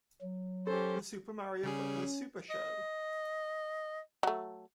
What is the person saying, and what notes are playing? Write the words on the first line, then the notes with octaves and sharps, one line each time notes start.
The Super Mario Brothers Super Show!
F#3
C#4 G4 A4 C5
C#3 G3 C#4 G#4
D#5
F#3 A3